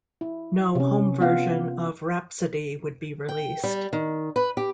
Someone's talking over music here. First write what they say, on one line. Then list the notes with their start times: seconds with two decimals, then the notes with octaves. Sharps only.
No home version of Rhapsody would be released.
0.21 E4
0.75 C3 C#4
1.21 B3 F4 F5 F#5
3.28 G5
3.64 G3
3.93 D#3
4.36 B4
4.57 G4